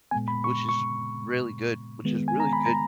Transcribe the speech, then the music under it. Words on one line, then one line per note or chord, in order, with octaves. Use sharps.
which is really good which is really good
A#2 G#3 B3 G#5
B5
C#6
C#6
D#3 G#3 B3
G#5
A#5
B5
A#5